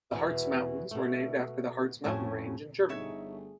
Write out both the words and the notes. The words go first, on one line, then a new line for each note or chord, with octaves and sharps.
The Hartz Mountains were named after the Harz mountain range in Germany.
E2 B2 E3
B2 A3
F2 A2 C#4 G#5 A5
G1 G3 A3 D#4 G#4 C#5 E5 C#6